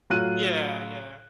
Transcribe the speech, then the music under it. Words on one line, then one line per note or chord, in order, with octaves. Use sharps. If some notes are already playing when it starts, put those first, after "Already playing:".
Yeah, yeah.
A2 F#3 F4 F#6 D#7